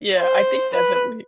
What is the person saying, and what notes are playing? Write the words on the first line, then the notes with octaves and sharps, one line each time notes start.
Yeah, I think definitely.
C5
B4